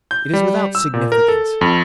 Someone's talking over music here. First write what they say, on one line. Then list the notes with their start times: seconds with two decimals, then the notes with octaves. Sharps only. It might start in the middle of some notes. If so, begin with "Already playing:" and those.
It is without significance!
0.11 G6
0.33 G3
0.75 E6
0.94 A#2
1.12 A#4
1.28 A4
1.61 F2